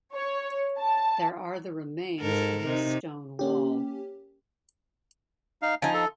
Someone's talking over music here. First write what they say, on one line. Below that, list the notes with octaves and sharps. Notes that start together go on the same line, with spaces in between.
There are the remains of a stone wall.
C#5
A5
G#2 A4 A#4
C3 D#4
A#3 C#4 G4
D#4 F5
F3 D#4 G#5
A4